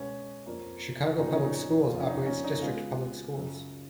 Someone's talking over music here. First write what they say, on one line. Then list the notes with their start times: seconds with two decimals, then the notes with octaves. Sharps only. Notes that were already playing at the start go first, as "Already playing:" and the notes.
Chicago Public Schools operates district public schools.
Already playing: B2 G#3 B3 C#4
0.46 F2 F3 A#3
1.18 A#2 F3 B3 D#4
1.31 C#4
1.44 D#4
1.89 F2 F3 A#3 F4
2.00 C#4
2.08 D#4
2.26 C#4
2.44 D#4
2.62 C#3 G#3 B3 F4
3.34 F#2 C#3 F#3